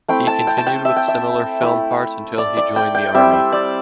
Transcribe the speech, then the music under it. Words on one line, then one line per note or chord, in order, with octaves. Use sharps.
He continued with similar film parts until he joined the army.
A3 C4 E4 G5
A5
G5
A5
G5
E5
G5
E5
A3 E4
D5
D5
G5
G5
G3 C4 E4 E5
E5
D5